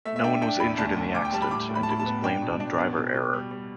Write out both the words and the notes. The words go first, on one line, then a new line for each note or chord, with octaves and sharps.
No one was injured in the accident, and it was blamed on driver error.
A3 E5
E5
D4 G5
D4 G5
E2 B5
D2 A5
D2
D2 D6
G5
G3 A5
B5
A2 D6
A2
B5
A5
A2 B5
A5
B3
D4 G5
B2
D4
B3
B2
B2
G3
G3